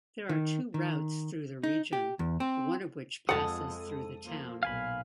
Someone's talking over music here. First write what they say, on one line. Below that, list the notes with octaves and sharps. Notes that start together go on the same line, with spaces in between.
There are two routes through the region, one of which passes through the town.
D#3
D#3
D#4
G4
E2
C4
F2 F3 G#3 A4 F#5 A5 D#6
F3 A#3
B1 A#2 F5 G#5 B5